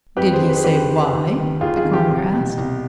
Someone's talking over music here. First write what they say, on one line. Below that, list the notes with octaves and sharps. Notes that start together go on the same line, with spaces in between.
"Did he say why?" the coroner asked.
F2 G4 B4
G#4 C5
D#3
B4
G#4
F2 G4 B4
D#3
D#2
D#3
D#2 F4 G#4
F4 G#4
D#3
G4
C2
B2
C2